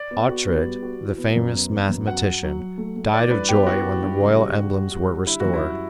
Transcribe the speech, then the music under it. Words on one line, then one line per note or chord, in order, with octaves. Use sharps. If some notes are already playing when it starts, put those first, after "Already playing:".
Oughtred, the famous mathematician, died of joy when the royal emblems were restored.
Already playing: D5
B3
F#4
B3
G3
F#4
E3
B3
F#2
B3
B3
F#2
F#3 F#5
F#3
F#3
F#3
A3
A3
E3 D5
G2 B4
B3 G4
E4 F#4
E4
G2
C#3
G3
G4
G3
G3
G3
D3 E4
F#4
F#2
E4
G3